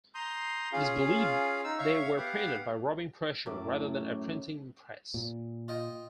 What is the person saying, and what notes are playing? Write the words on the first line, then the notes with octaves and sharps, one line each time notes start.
It is believed they were printed by rubbing pressure, rather than a printing press.
A#5 C6 D#6 G6
C#4 F4 G#4 F5
D#4 E6
C#5 E5 F5 C#6
B3 G4 F5 F#5
F#2 A2 D6
A#2
F4 D#5 G5